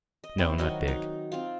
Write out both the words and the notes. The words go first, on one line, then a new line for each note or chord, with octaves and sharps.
"No, not big."
D#5
C4 E4
D#3 F#3 F#4 D#5
D#4
C4 F4